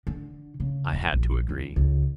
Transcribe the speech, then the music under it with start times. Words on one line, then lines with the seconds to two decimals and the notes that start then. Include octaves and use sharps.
I had to agree.
0.07 D3
0.60 C#3
0.93 D1
1.13 A#1
1.49 D#2
1.76 C#2